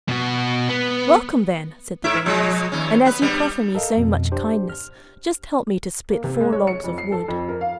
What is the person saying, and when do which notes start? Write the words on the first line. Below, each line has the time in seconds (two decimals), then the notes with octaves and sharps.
"Welcome, then!" said the ogress; "and as you proffer me so much kindness, just help me to split four logs of wood."
0.08 B2 F#4
0.69 B3
2.04 G#2 E4 E5
2.26 B2 F3 G#3
2.72 D#2 C#4
3.05 B3 B4
3.22 G2 G3 B3
3.75 A4 A#4 D#5 F5
3.97 F2 B2
4.32 D4 G4 C5
4.70 F6
6.10 A#3
6.24 C3
6.40 G#3
6.52 C#5
6.67 C#7
6.84 F2
6.98 C7
7.12 A4
7.28 F2
7.49 A#4
7.61 F5